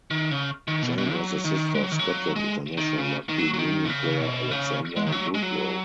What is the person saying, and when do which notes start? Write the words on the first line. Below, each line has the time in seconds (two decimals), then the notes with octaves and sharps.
Jane was the sister of Scotland international rugby union player Alexander Woodrow.
0.11 D#3
0.31 C#3
0.68 D#3
0.82 B2
0.98 B2
1.13 F#3
1.44 D#3
1.75 G#3
1.82 F#3
1.92 D#3
1.99 F#3
2.36 G#3
2.78 D#3
2.98 C#3
3.29 D#3
3.38 F#3
3.54 F#3
3.59 D#3
3.85 B2
3.89 C#3
4.20 B2
4.51 C#3
4.97 G#3
5.07 D#3
5.12 F#3
5.35 G#3
5.42 F#3